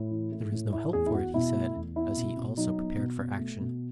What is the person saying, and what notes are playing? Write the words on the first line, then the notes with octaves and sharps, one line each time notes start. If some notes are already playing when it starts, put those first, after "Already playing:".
"There is no help for it," he said, as he also prepared for action.
Already playing: A2 E4
E3
A3
A2
A3 E4
E2 G#4
E4
E2 F#4
B2 E4
A3
E2
B3 E4
B2
B2
F#3 D#4
B3
B2
B2
A3
B2